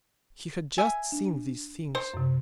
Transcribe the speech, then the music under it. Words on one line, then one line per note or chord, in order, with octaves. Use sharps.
He had just seen these things.
E5 G#5
D4
C5
F#2 C3